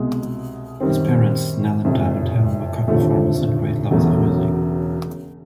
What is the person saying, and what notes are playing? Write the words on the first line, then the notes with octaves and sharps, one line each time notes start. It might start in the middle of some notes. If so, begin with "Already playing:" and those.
His parents, Nell and Diamond Helm, were cotton farmers and great lovers of music.
Already playing: C2 B2 G#3
F#2 D#3 G3 C4
F#1 F2 C3
F1 D#2 D3 F3 A3
E1 E2 C#3 F#3 A3